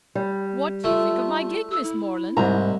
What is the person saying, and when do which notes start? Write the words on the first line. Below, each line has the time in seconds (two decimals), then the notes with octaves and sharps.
What do you think of my gig, Miss Morland?
0.15 G3
0.84 A3 F4
1.71 E6
1.84 E4
2.37 C2 G#2 A#5